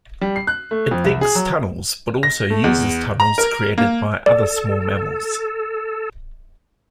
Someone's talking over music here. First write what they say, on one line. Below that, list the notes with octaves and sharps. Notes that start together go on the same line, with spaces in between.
It digs tunnels but also uses tunnels created by other small mammals.
G3
C7
F#6
A3
F2
C2
G#4
F#3
A#6
A3
E2
A#5
A#4
A#3
A4 D5